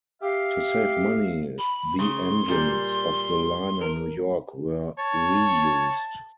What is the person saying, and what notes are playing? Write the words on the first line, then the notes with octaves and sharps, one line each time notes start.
To save money, the engines of the liner "New York" were reused.
G4 E5 F5
B5
C#3 C6
A#2 G3
A#4
C#5 A5